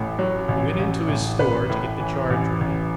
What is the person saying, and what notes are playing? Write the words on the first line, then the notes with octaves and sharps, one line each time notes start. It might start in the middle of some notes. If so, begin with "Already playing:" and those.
He went into his store to get the charge ready.
Already playing: A1 A2
F#3
A1
A1
A2
A1 B4
A2
E3
A1
A1